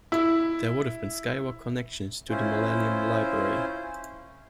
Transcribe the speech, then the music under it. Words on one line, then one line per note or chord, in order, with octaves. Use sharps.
There would have been skywalk connections to the Millennium Library.
E4
C#4 E4 F4 C5